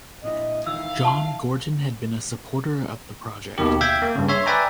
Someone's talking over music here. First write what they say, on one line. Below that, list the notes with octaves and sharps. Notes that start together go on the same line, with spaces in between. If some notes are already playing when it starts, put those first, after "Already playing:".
John Gorton had been a supporter of the project.
A#2 D4 E4 D#5
D#3 E3 E5 F5 E6
A5
D#2 B2 D#3 G4
E5 F5 G5 G6 G#6
A#3
G2 C#3
C#5 E5 C6
B4 D5 E5 G5 G#5 A#5